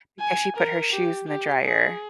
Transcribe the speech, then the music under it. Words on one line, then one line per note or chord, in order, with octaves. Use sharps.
because she put her shoes in the dryer.
G#5
A#4
G4
G4
G#4